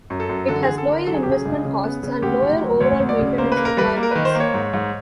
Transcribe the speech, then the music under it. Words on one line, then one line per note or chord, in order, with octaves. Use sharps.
It has lower investment costs, and lower overall maintenance requirements.
F#2
A4
F#2
D3 A4
G#4
D3
A4
D3 A#4
F#3 A4
G#4
C#3 G4
G#4
C#2
C#3
B3
C#3
D2 G4
D2
F#3
D2 C#5
D2
D5
C#3
A#3 C5
B4
A#3
A#4
G3 B4
A#3
A#4
D#3 B4
C5
A#3
C#5
G#2
G#2